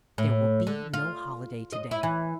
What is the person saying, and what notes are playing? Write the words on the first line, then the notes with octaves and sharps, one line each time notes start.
There will be no holiday to-day.
A2
D3
F4
D#5
E4
E3